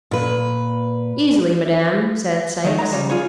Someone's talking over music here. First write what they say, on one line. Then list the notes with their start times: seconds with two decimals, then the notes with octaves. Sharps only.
"Easily, madam," said Sikes.
0.11 A#2 B4
2.64 D#3 F#3 A3 D#4
2.79 F#3 G#3 A#5
2.93 C#3 F3 G3
3.10 F4 G#4 C#5